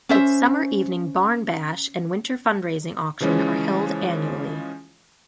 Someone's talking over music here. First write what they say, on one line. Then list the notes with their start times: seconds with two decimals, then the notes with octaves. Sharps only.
It's summer evening Barn Bash and winter fundraising auction are held annually.
0.09 C#4 C5 E5
3.20 C#3 E3 F3 G#3 C#4